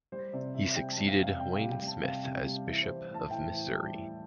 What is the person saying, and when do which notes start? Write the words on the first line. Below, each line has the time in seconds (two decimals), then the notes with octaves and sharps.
He succeeded Wayne Smith as Bishop of Missouri.
0.12 G3 C5
0.33 C3 D5
0.54 C3 E5
0.75 G3 G5
0.92 A5
0.97 G3
1.08 F5
1.18 C3
1.23 F5
1.39 C3 G5
1.55 F5
1.60 G3
1.71 G5
1.82 G3
1.87 A5
2.03 C3 F5
2.24 C3
2.45 G3
2.67 E3 E5
2.83 C5
2.88 G3
3.09 A2
3.14 A5
3.30 A2 G5
3.52 E3
3.72 G3
3.94 A2